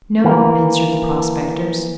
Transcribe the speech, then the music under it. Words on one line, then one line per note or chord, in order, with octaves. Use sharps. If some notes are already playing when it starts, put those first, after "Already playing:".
'No,' answered the prospectors.
E3 A#3